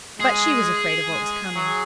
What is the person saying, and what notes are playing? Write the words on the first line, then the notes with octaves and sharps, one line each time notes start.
But she was afraid of what was coming.
G#3 G#4
G#3
F#3